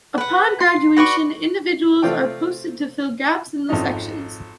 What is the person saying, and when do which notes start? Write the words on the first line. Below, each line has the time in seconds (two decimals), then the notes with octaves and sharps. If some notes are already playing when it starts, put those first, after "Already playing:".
Upon graduation, individuals are posted to fill gaps in the sections.
0.18 B4 F#5
0.60 C6
0.97 F#4 B4 D5 C#6
2.02 C3 A3 C4 F4 D5 G5
3.69 G#1 F2 C#4 D#4 D#5